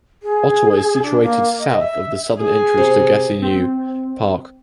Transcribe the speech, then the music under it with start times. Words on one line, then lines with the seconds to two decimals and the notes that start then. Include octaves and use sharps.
Ottawa is situated south of the southern entrance to Gatineau Park.
0.23 G#4
1.03 D4
1.22 A#3
1.59 D#5
1.79 E5
2.38 G#4
2.78 C3
3.42 C4